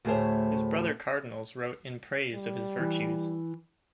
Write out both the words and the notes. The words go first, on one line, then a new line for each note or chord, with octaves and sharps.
His brother Cardinals wrote in praise of his virtues.
D2 A2 A3 G#4 C5 C#5
G3
E3